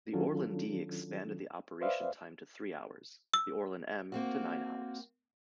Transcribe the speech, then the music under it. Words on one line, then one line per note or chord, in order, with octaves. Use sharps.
The Orlan-D expanded the operation time to three hours; the Orlan-M to nine hours.
D#3 F#3 C#4 D4 F4 A4
B4 C5 D5 E5 F5
E6
A#3 C4 F#4